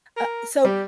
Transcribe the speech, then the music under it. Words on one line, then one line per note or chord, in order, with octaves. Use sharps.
Uh so,
A#4
G3 G4